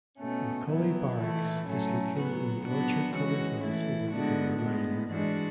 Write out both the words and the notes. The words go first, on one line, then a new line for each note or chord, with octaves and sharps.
McCully Barracks is located in the orchard-covered hills overlooking the Rhine River.
B2 A3 C#4
F#3 B3 E4
E3 A3 E4
A2 F#3 A3 C#4
F#3 B3 F#4
F#3 B3 D4 F#4
E3 G#3 C#4 F#4
E3 A3 E4
D3 G#3 B3 D4 F#4
A2 G#3 B3
E3 G#3 D4 F#4